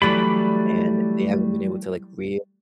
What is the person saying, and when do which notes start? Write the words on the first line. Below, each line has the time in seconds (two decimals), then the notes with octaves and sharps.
and they haven't been able to, like, real
0.02 E3 F#3 G3 A3 D5 B5